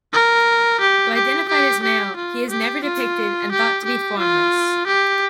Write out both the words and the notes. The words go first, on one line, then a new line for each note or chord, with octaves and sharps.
Though identified as male, he is never depicted, and thought to be formless.
A#4
G4
G4
G4
G4
F4
G4
F4
G4
G4
F4
G4